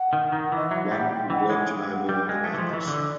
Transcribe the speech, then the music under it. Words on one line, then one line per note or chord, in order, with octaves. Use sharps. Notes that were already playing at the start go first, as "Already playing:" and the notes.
One would like to know more about this.
Already playing: F#5
D#3
D#3
E3 D#5
F#3 E5
F5
G3
F#5
G5
E3 F#5
G#3 F#5
F5
F#5
G3 G5
G#3 F5
A3 E5
E3
F3
E3 D#5
C#5
D3 D5